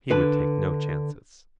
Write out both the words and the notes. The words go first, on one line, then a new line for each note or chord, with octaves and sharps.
He would take no chances.
D3 B4 A5